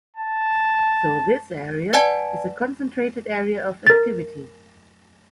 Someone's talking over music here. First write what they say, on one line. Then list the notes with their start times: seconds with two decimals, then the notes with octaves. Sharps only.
So this area is a concentrated area of activity.
0.17 A5
1.93 B4 D5 F#5 G#5 A5 G#6
3.87 A#4 A6